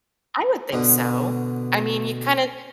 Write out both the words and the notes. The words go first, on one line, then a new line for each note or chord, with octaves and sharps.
I would think so. I mean, you kinda
B2 D3